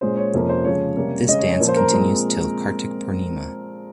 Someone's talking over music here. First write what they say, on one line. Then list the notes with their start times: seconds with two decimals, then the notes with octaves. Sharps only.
This dance continues till Kartik Purnima.
0.01 A#2 G#3 C#4 C5
0.17 C#5
0.33 F2 C3 F3 A#3 C#4
0.49 C5
0.65 C#3 F3 G#3 C#4 C#5
0.97 C3 G3 A#3 C#4
1.28 C#3 G#3 C#4 D#5
1.39 C#5
1.50 C#5
1.60 A#2 F3 A#3 C#4 A#4
1.68 C5
1.76 A#4
1.92 A#2 G#3 C4